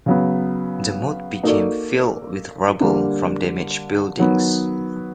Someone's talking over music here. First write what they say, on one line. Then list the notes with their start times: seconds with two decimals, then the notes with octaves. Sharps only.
The moat became filled with rubble from damaged buildings.
0.06 C#3 F#3 B3
1.43 A#3 D#4 F#4 A4 D5
2.80 D3 G3 A#3 D4
4.18 D#3 F#3 B3